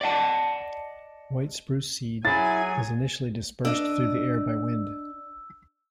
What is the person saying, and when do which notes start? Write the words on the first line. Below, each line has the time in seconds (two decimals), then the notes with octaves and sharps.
White spruce seed is initially dispersed through the air by wind.
0.01 D5 D#5 F#5 A5
2.25 F#3 E4 G#4 G#5 A6
3.65 D4 D#5 E6